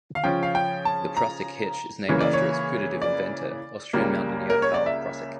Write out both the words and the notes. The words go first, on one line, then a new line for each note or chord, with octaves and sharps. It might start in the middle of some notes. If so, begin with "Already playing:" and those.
The Prusik hitch is named after its putative inventor, Austrian mountaineer Karl Prusik.
F5
C#3 F3 C#4 G5
F5
G5
A5
A#5
C#3 E3 A#3 C#5
D5
C#5
D5
C#2 C#3 G3 A#3
A#4
C#5
D5
E5